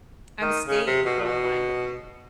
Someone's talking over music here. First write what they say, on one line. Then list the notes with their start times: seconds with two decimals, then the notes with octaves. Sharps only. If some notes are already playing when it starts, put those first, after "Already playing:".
I'm staying online with you.
0.41 D#3
0.67 C#3
0.86 C3
1.05 B2
1.20 A#2
1.25 B2